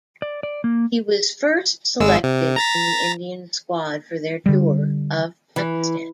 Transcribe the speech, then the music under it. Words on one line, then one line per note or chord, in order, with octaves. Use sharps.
He was first selected in the Indian squad for their tour of Pakistan.
D5
D5
A#3
G#1 G#3 E6
C3
A#5 A6 B6
D3 G3
E3